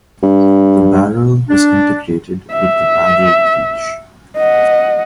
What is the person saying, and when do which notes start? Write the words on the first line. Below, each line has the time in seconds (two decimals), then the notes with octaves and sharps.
The barrel is integrated with the barrel breech.
0.23 G2
1.49 D4
2.52 E5
4.37 D#5 F#5